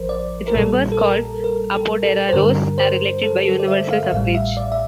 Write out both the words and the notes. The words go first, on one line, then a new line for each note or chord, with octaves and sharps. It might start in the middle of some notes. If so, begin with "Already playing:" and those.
Its members, called "apoderados", are elected by universal suffrage.
Already playing: A1 F3 A#4 C5
D5
A#4
A#1 A#2 G3 A4
A4
A#4
A#4
A4
A4
C5
G2 D3 G3 A#4
C5
A4
A4
D5
E5
F5
A1 A2 G3 F5
E5
D5
E5